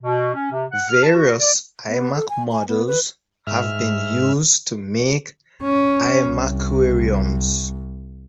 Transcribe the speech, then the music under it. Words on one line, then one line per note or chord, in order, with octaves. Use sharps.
Various iMac models have been used to make "iMacquariums".
B2
C#4
C3
F#5
F6
A5
F#4
D5
B3
A4
G#5
G#5
B3
B4
G#2 E5 F6
C#4
C2